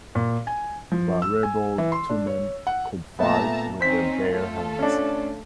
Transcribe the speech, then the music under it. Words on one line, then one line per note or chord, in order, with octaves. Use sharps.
But rebel two men could fight with their bare hands.
A#2
G#5
F3
E6
G#5
E3
C6
D4
C#5
F#5
A#2 A3 B3 E5 A5 A#5
C4 C#4 D#4 C5 B6
A3 F4 A4
C#4 D4